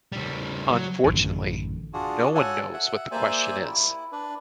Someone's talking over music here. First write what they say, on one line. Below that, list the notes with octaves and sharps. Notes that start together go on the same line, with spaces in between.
Unfortunately, no one knows what the question is.
C#3 G3
F#3
A1 F#2 D3 D#3
D4 F4 F#4 G#4
F#4 A4 C#5 F#5 G#5
E5 F#5
A#3 G4 C5 D5 E5 G#5
E4
D4 B4